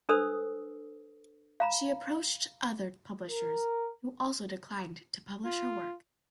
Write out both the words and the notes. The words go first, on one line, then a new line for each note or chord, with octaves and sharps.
She approached other publishers, who also declined to publish her work.
D4 A4 B4 C5 D#6 E6
F5 A#5 B5
A#4
F4